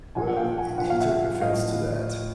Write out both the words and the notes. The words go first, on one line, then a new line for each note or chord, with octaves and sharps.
Well, h he took offense to that
A#2 F3 F#5 G#5
F#5
F5 G5
F#5 G#5
A#2 F3 F#5
F5
E5 F#5
F#5
A2 F3 D#5 F5